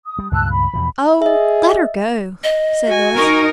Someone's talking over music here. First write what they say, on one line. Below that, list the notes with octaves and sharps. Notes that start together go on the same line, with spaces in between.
"Oh, let her go!" said Louis.
D#6
G3
C#2 G2 A#2 A5 E6 F#6
B5
E2 B2 F3
G#4 D#5 E5
D#5
F#4 G#5
D#4 A#4 C#6